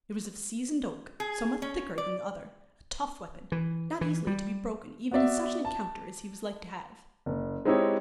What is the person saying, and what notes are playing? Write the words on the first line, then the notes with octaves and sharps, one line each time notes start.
It was of seasoned oak, somewhat thicker than the other, a tough weapon, not easily to be broken even in such an encounter as he was like to have.
G#4
C#4
D5
E3
E3
G3
B3 F#4 D5 E5
A5
F#1
G#3 C4 D#4 E4 G4 C#5